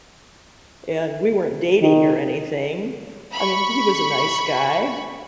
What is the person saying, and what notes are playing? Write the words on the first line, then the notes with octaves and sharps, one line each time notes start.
and we weren't dating or anything. I mean, he was a nice guy,
D#3
B5 C#6